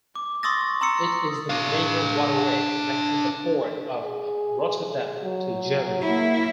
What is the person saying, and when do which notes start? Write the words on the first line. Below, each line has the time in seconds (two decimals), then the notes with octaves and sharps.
It is the major waterway connecting the port of Rotterdam to Germany.
0.15 D6
0.43 C6 C#6 D#6 E6 A6 A#6
0.81 A#5 C6 E6 C#7
1.50 D4 F5
4.04 G#4
5.23 F#3
6.02 A#3 E4